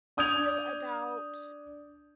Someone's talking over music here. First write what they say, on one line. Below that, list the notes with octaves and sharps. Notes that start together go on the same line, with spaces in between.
feel about
D4 D#6 G6 G#6 F7